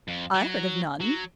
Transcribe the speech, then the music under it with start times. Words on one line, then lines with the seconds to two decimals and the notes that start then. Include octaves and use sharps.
"I heard of none."
0.08 F2
0.34 F#3
1.01 F#3